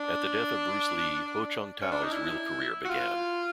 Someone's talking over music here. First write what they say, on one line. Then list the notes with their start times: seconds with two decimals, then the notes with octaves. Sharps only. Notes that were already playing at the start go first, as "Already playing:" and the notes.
At the death of Bruce Lee, Ho Chung-tao's real career began.
Already playing: D4
1.82 C#4
1.92 D4
2.03 D#4
2.12 E4
2.85 F#4
2.90 F4